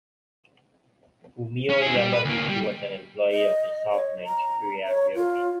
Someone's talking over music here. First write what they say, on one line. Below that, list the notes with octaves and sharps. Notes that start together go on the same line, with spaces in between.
Fumio Yamaguchi was an employee of the South Manchuria Railway.
C#4
E4 G#4
G3
B4
D2 A#3
G3
D#5
C#5
A#5
C#5
F4